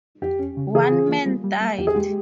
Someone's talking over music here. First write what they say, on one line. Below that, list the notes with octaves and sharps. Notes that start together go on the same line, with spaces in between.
One man died.
F2 G4
C#4
C#3
E3 G#4
F4
A#3
G3
G3
A#3
E2 G4
G#4
G#3 G4